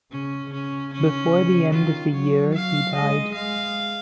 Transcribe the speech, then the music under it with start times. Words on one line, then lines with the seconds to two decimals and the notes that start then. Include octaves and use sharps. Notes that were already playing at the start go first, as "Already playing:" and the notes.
Before the end of the year he died.
0.12 C#3 C#4
0.52 C#3 C#4
0.93 C#4
1.73 D#3 F4
2.14 F#3 C#5
2.54 F5
2.94 G#3 D#5
3.34 G#3 F5